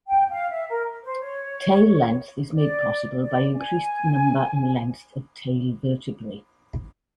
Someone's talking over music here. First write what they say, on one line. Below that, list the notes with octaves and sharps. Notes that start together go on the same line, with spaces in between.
Tail length is made possible by increased number and length of tail vertebrae.
G5
F5
E5
A#4
C5
C#5
D5
D5
G#5